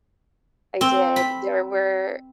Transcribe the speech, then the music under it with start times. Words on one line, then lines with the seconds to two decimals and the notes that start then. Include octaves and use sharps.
I did. There were
0.81 C4
1.16 B5